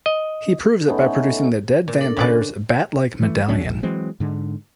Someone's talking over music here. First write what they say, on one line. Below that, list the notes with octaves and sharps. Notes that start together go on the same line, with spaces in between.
He proves it by producing the dead vampire's bat-like medallion.
D#5
A3 B3 C#4 D#4
A#2
D4 A4 A#4
C#3 B4 D5
E3 A3
C#2 F#3 C#4 D4
A#1 G#2
E3 F#3 G#3 C4
G#2 D3